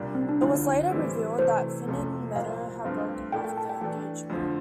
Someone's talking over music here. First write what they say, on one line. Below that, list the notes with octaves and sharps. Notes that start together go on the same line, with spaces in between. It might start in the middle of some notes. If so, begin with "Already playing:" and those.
It was later revealed that Finn and Meadow had broken off the engagement.
Already playing: C2 A#2 G3 D4
C4
D4
D2 D3 F3 E4
A2 E3 G3 C4 E4
C3 E3 A3 E4 C5
F2 C3 F3 A3
C2 A#2 F3 F5
G2 F3 A3 C4 F4
A#2 A3 E4 A4 G5
G5
A5
G5
E3 A3 D4 G5
F2 D3 F3 A3